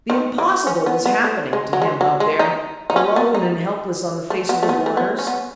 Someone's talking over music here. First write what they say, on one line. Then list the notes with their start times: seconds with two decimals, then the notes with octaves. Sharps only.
The impossible was happening to him, out there, alone and helpless on the face of the waters.
0.10 D#3
0.38 E3
0.67 C#4
0.86 B3
1.06 B3
1.24 A3
1.53 G#3
1.73 F#3
1.82 G#3
2.01 F#3
2.20 G#3
2.39 D#4
2.90 D#4
2.96 C#4
3.16 B3
3.34 D#4
4.30 A3
4.49 B3
4.63 A3
4.69 B3
4.86 A3
4.97 B3
5.19 C#4
5.27 B3